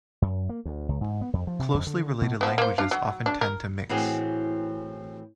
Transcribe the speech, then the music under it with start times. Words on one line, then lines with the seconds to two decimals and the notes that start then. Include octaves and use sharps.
Closely related languages often tend to mix.
0.22 F#2
0.49 A#3
0.65 D2
0.89 C#2
1.01 G#2
1.21 B3
1.33 F2
1.47 F3
1.59 C3
1.74 F2
1.87 D3
2.22 B2
2.41 F3 B3
2.58 A#3 C5
2.78 D4 F5
2.91 F#3
3.26 D4
3.41 A#4
3.89 A2 E3 C4 F#4 G#4 G5